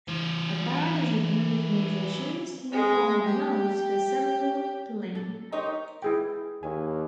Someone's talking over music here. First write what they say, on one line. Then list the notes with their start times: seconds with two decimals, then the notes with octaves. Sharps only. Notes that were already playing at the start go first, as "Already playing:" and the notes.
A band is a group of musicians who are organized for ensemble playing.
0.08 E3 C5
2.72 G#3
3.26 G4
5.15 A4
5.52 D#4 G4 A#4 C5 C#5 D#5
6.02 E4 G#4 G5
6.63 D#2 G#5